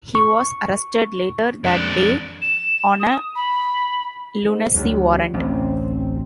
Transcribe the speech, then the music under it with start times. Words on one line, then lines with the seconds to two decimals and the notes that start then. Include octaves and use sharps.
He was arrested later that day on a lunacy warrant.
0.15 C#6
1.64 F2 D4
2.42 E7
3.00 D#6
3.35 B5
4.43 G#2
4.75 D2 F#3 G3
5.34 A1 D2 C4 C#4